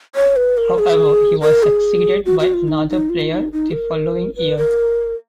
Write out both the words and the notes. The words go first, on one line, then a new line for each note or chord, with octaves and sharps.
However, he was succeeded by another player the following year.
C#5
B4
A#4
G#4
A#4
G#4
F#4
F#4
F4
D#4
D#4
F4
D#4
D#4
A#4
B4
A#4